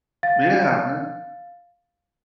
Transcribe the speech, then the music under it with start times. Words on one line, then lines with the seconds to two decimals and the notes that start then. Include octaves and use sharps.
Yeah, man.
0.23 F5 A6